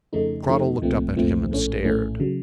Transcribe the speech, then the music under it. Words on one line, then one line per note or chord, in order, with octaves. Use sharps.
Cradell looked up at him and stared.
F2 C#3 A3 D#4
F2 C#3 A3 D#4
C2 A#2 F3 A3 C4
C2 A#2 F3 A3 C4
A#1 A2 A3 C#4
A#1 A2 A3 C#4
C#3 F#3